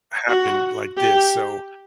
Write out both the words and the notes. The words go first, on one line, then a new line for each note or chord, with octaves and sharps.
happen like this, so
F#4
G4